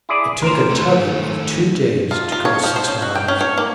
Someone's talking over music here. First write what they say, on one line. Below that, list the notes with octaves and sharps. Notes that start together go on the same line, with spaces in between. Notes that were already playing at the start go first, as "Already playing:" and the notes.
It took a tugging of two days to go six miles.
E4 G#4 D5
A2 F3 A#4 C5
D#3 A3
F4
F4
C#5
F3
C5
C#4
F#4
G5
C#4
C#5
A#3